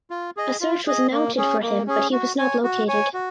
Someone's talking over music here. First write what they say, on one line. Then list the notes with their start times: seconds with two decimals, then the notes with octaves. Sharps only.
A search was mounted for him but he was not located.
0.10 F4
0.37 G#4 D#5
0.61 F4
0.87 G#4 D#5
1.12 A#3
1.37 C#4 G#4
1.63 A#3
1.87 C#4 G#4
2.12 F#4
2.39 C#5 G#5
2.64 F#4
2.88 C#5 G#5
3.14 F#4